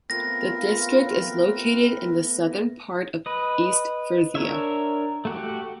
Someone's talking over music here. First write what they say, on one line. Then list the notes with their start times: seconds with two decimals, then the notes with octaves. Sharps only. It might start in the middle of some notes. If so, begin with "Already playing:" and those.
The District is located in the southern part of East Frisia.
0.10 A3 B3 C4 F4 A#4 B4 A#6
3.26 B4 D#5
4.35 D4 A#4 C#5 E5
5.25 A3 F#4 G4